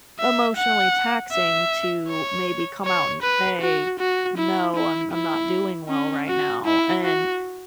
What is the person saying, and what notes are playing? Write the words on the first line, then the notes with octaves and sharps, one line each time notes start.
emotionally taxing to maybe come out and say, “No, I'm I'm not doing well right now." And,
E5
F#5
E5
C#5
C#5
B4
F#4
F#4
E4
E4
E4
C#4
F#4
E4
F#4